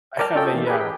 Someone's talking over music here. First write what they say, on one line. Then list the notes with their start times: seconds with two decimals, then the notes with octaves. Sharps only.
I have a, uh
0.19 A#4 D5 G5 A5 F6
0.35 C#4 F4 A4 D#5 G5
0.53 E3 A#3
0.67 G4 G#4 A#4 B4
0.81 G5